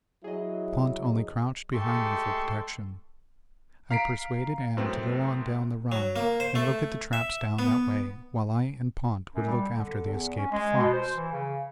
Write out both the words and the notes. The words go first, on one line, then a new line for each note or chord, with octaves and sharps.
Pont only crouched behind me for protection. I persuaded Am to go on down the run and look at the traps down that way while I and Pont would look after the escaped fox.
F#3 E4 G#4 D#5
G#3 A3 G4 A4 C6 C#6
F5 A#5 B6 C7 D7
F#2 A2 C4 B4
F#3
A#3
C5
A3
E5
B3
F#2
G3
D3
E2
C#4
G#3
B2
C5
E3
C#3